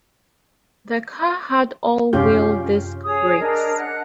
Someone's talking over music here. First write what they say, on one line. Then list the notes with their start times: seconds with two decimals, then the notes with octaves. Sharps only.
The car had all wheel disc brakes.
2.13 F#2 C3 C#4 F4 G4 G6
3.03 G#4 C#5 D#6
3.39 D4 A#4 D#5
3.75 F#5 F#6